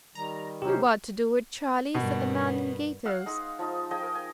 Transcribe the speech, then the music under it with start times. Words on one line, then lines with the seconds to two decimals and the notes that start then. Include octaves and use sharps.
"You got to do it, Charlie," said the man in gaiters.
0.15 D#3 G3 A#5
0.62 C3 F#3 C#4 D#4 G4 C5
1.95 G2 B2 D#3 B3
3.06 F5 F#5 E6
3.26 G#3 D#4
3.59 F3 D#4
3.91 F3 G#4 D#5 G5
4.02 A#4
4.15 G#5